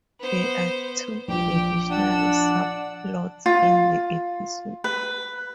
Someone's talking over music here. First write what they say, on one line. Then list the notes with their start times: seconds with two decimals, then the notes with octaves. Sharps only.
There are two additional subplots in the episode.
0.20 B3 C5
1.28 A#1 F3 G4 G5
1.91 D4 D5 F#5 E6
3.46 F4
4.84 B4